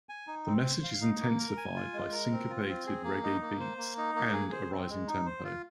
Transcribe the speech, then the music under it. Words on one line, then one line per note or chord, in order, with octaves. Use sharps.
The message is intensified by syncopated Reggae beats, and a rising tempo.
G#5
D#4
C4
C5
F5
D#4
A#3
A#4
G#5
F4
G#3
A#4
C4
F4
C4
G#4
A#3
D#4
A#3
C5
A#3
D#4
A#3
G#4
C5
C4
G#3
D#4
C5
F4